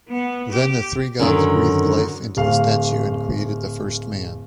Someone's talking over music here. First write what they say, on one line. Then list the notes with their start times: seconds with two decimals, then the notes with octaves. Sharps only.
Then the three Gods breathed life into the statue and created the first man.
0.10 B3
0.53 G4
1.19 F#2 D3 D#3
2.37 D1 F5